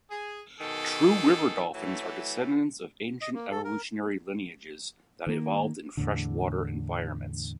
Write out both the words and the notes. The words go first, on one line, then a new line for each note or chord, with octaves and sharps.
'True' river dolphins are descendants of ancient evolutionary lineages that evolved in freshwater environments.
G#4
B2 D#3 G#4 A4
E3 F#3 A3
D#5
A#3
A4
A#4
D#3 A#3
E2 A2 D3